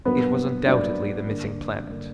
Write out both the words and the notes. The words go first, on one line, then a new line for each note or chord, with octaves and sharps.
It was undoubtedly the missing planet.
G2 F#3 A#3 B3 B4
G2 F#3 A#3 D4 D5
G2 D3 A#3
G2 D3 A#3